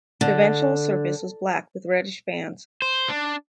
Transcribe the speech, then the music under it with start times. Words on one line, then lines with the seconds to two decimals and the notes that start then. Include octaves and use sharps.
The ventral surface was black with reddish bands.
0.21 D3
2.82 C5
3.09 D4